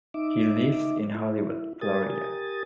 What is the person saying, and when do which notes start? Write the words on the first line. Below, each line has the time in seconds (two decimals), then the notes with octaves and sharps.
He lives in Hollywood, Florida.
0.14 D#4 E5 D6
1.15 E4
1.81 G4 A#4 G#5 D#6 A6